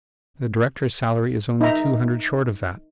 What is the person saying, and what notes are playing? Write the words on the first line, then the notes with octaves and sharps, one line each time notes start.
The director's salary is only two hundred short of that.
D#4 E5 A#5